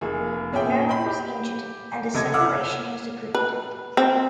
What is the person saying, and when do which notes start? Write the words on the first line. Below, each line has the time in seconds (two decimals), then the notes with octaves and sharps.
No one was injured and a separation was agreed.
0.01 F1 A#3 G#4
0.53 A#2 C#4 G#4 E5 G5
0.89 G5 B5
1.06 G4
2.14 F#1 C3 A4 D#5 G#6
2.34 F#5 D6 E6 F6
3.35 B4
3.97 C4